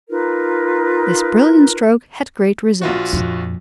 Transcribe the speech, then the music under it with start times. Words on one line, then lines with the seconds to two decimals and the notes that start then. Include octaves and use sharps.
This brilliant stroke had great results.
0.09 D#4 F4 A#4 B4
2.82 A#1 F4 F#4
3.13 F2 A#2